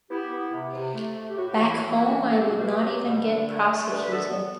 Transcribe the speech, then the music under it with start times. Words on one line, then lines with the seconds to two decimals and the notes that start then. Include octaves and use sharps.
Back home I would not even get prosecuted.
0.10 B3 E4 G4
0.31 B3
0.52 C3
0.73 C3
0.94 A3
1.16 A3
1.29 G4
1.36 A2 F#4
1.48 G4
1.57 E3 F#4
1.67 E4
1.78 E3
1.90 E4
2.00 A3 F#4
2.21 A3
2.30 A4
2.38 G4
2.42 B2 F#4 A4
2.58 C5
2.62 A3 G4 B4
2.84 F#3
3.05 B2
3.25 D3
3.47 A3
3.69 A3
3.89 D3 G4 B4
4.03 B4
4.11 B3 F#4 A4
4.31 B3